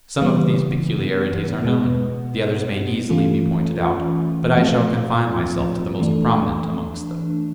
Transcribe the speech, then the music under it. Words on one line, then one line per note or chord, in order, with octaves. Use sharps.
Some of these peculiarities are known, the others may easily be pointed out; but I shall confine myself to the most prominent amongst them.
C#3 E3 G3 B3
B2 G#3 B3
E3 A3 C#4 F4
A2 F3 A3 C4 F4
E3 A3 D4